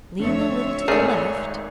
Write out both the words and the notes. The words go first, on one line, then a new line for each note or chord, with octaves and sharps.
Lean a little to the left.
F2 D3 A3 C#5 E5
G#1 G#2 A3 G#4 A#4 D5